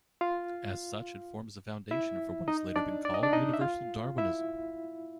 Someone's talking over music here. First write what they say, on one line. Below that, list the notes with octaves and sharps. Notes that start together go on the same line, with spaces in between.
As such, it forms a foundation for what has later been called universal Darwinism.
F4 F5
E4 E5
D#4 D#5
D4 D5
D5
D#5
D4 D5
D#4 D#5
E5
F4 F5
E4 E5